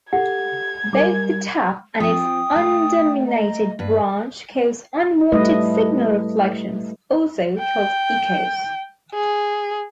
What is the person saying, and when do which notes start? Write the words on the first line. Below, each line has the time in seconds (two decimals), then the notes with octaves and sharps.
Both the tap and its unterminated branch cause unwanted signal reflections, also called echoes.
0.13 G4 A4 F#5 G#6
0.93 G3 A#4 G#5 D6
2.00 F3 C4 G5 D#6
2.56 A3
3.27 D#5 A#5
3.79 G2 A#3 B4
5.32 G3 A3 E4 B4 D#5
7.59 G5
9.14 G#4